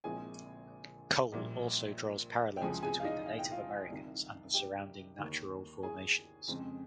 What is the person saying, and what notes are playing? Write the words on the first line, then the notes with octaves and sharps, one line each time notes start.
Cole also draws parallels between the Native Americans and the surrounding natural formations.
A#1 A#2 G#3 C4 G#4 G#5
A#1 A#2 G3 A#3
G5
C#2 C3 F3 C4 G#4 G#5
G#4 G#5
F5
D#4 D#5
F5
G5
F4 F5
C2 C3 D#3
G4 G5
D#2 D#3 A#3
G#4 G#5
F2 C#3 G#3 C4